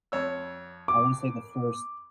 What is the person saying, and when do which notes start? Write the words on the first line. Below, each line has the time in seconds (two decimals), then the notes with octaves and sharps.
I wanna say the first
0.12 F2 C#5 E6
0.88 D6